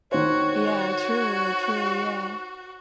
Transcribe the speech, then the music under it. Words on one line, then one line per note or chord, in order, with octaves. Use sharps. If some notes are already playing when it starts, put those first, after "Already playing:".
Yeah, true, true, yeah.
D#3 F#4 C5 C#5